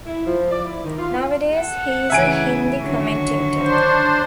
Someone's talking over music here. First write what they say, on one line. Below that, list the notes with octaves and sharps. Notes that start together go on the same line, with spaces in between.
Nowadays he is a Hindi commentator.
E4
F3
D5
E4
D#3
F4
A4 F#5
C#3 E3 A3 E5 G#5 D7
D3 D#3 F#3 C#6
D4 C5